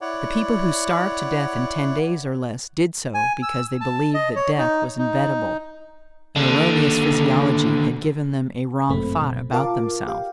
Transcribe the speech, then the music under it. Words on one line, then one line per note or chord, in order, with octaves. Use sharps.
The people who starved to death in ten days or less did so because they believed that death was inevitable; an erroneous physiology had given them a wrong thought about themselves.
E4 C#5 D5 F#5
G#5
E6
A5
D#5
C#5
D#4
D#4
D#2 D3
G1 F#2 A#2 A3 C4 B5
B2
F4 A#4 F5 A5 D6
G4 F5 G5